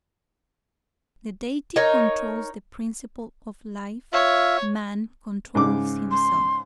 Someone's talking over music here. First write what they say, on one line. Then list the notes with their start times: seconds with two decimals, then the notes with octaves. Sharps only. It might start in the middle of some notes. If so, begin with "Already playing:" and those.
The Deity controls the principle of life; man controls himself.
1.76 D#4 A#4 C#5
4.13 F4 C#5 E5
5.55 G#2 C#3 D6
6.11 C6